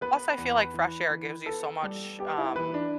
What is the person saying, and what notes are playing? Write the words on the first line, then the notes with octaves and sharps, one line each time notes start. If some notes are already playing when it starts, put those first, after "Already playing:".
Plus, I feel like fresh air gives you so much, um
B3 B4
E2
E3
E3
B3 A4
G3
B3 G4
E4
E3 B4
D4